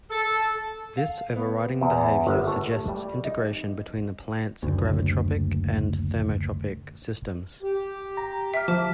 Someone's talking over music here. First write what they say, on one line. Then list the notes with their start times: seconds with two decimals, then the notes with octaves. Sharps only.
This overriding behavior suggests integration between the plants' gravitropic and thermotropic systems.
0.10 A4
0.97 F5
1.36 B3
1.81 E2
2.27 G1
2.47 A3
2.88 G3
3.24 D#4
4.63 F#1 D2
7.63 G4
8.17 A#5
8.54 E5 F6
8.68 F3 A5 D6